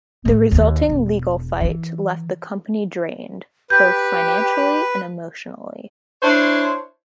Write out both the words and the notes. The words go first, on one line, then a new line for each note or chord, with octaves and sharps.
The resulting legal fight left the company drained, both financially and emotionally.
A2
D#2
E1
E3
G4 B4 G6
D4 E4 C5 C#5